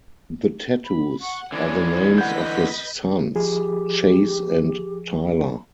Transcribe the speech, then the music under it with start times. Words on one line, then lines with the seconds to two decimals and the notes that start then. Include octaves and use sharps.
The tattoos are the names of his sons, "Chase" and "Tyler".
0.85 B5
1.21 F#5 C#6
1.52 D3 E3 C#4 D4 G#5 G#6
2.18 B4 D#5 F#5 G6 B6
3.35 F3 G4 G#4